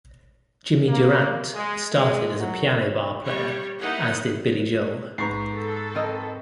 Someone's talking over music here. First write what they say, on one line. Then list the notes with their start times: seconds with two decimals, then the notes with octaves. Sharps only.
Jimmy Durante started as a piano bar player, as did Billy Joel.
0.88 A#3
1.55 G#3
1.92 G#3
2.38 F#3
3.25 G3 C#5
3.79 A#3 D#4 E4 F#5
5.18 G#2 B3 A#5 C#6 C7
5.55 A4
5.95 C4 A#4 D#5